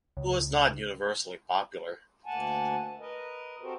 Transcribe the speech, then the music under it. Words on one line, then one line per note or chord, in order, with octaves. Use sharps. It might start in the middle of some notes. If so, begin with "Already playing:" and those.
It was not universally popular.
C#2
D2 A#3 F#5 G#5 A5
A#4 B4 D#5
C4 F#4 G4 A4 A#4 C5